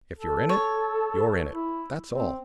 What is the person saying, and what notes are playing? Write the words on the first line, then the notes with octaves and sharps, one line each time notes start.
If you're in it, you're in it, that's all!
A4
C#5
E4
C4